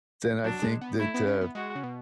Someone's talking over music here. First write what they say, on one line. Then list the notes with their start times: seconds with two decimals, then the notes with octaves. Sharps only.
then I think that, uh
0.44 F#3 D4
0.62 G#3
0.81 B3
0.99 A3 E4
1.14 B3
1.27 C#4
1.41 B3
1.55 G#3 F#4
1.75 C#3
1.83 B2